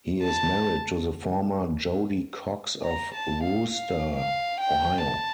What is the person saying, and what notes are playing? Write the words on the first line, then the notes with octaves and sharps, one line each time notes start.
He is married to the former Jody Cox of Wooster, Ohio.
A5
A#5
A5
F5
F5
F5
G5
A5